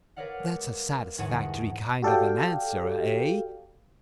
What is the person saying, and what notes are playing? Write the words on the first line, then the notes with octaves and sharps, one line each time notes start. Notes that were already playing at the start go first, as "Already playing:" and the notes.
That's a satisfactory kind of an answer, eh?
A#4 B4 C#5 D5 F5 F#5
G#3
G1 E2 G#2 G#4 F#5 C#6
F#4 G4 A4 D5 F5 G5